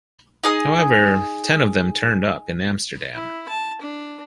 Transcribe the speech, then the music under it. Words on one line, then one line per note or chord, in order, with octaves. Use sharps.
However, ten of them turned up in Amsterdam.
D#4 G#4 D#6
E4
A5
D4